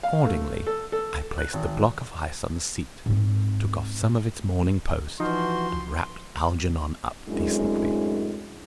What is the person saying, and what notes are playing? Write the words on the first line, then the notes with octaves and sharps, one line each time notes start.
Accordingly, I placed the block of ice on the seat, took off some of its "Morning Post," and wrapped Algernon up decently.
F5
A3
A4
A4
F#6
G#1
G#2 C4
E3 F3 D#4 F#4 C6
F#2 A2 G#3 C4 D4 E4